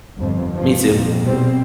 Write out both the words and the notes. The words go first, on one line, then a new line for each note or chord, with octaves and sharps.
Me too.
G1 F2
G2 F3
F2 A#2
B2 G3 C4